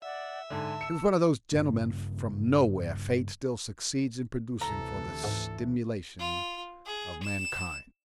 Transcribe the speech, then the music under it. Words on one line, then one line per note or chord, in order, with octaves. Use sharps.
He was one of those gentlemen from nowhere Fate still succeeds in producing for the stimulation of mankind.
D5 E5 F#5
G#2 D3 G#5 A5
E6 C#7 E7
G2 C#3 A#3
D2 C3 E3 A4 A#5
G#2
F4
G#4
E7